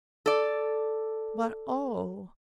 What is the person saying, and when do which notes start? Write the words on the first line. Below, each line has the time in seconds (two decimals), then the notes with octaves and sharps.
But oh!
0.26 A4 D5